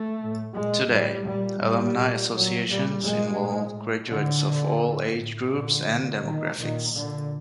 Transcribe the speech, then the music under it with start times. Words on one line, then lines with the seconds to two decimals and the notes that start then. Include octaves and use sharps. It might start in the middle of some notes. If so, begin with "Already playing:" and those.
Today, alumni associations involve graduates of all age groups and demographics.
Already playing: A3
0.20 A2
0.55 A#2 G#3
0.90 A2 G3
1.26 A#2 G3
1.62 A2 G3
1.97 A#2
2.33 A#2 F#3
2.68 A#2 G3
3.03 A#2 G#3
3.39 A#2
3.75 A2
4.10 A2 D3
4.46 A#2
4.82 A2
5.17 A2
5.53 A#2 D3
5.89 A#2
6.24 A#2 D#3
6.59 A#2 D#3
6.95 A#2 D3